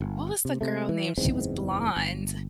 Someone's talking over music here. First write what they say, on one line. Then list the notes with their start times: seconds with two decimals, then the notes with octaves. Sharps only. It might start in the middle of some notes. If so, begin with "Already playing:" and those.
what was the girl name? She was blonde.
0.01 G1
0.45 C3
0.61 C3 A3
0.89 E3
1.18 F#1 E2 G#2 C4
1.97 G1